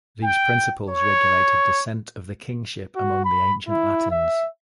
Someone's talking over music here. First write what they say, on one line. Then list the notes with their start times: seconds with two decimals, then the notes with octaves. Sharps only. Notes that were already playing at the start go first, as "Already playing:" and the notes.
These principles regulated descent of the kingship among the ancient Latins.
0.23 G5
0.89 C#5
2.96 F#4
3.25 B5
3.69 E4
4.11 E5